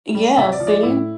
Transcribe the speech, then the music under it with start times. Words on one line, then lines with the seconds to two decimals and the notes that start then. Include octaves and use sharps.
Yeah, see.
0.15 G3
0.38 C3 E5
0.53 D5
0.60 F3
0.67 D5
0.83 A2 E4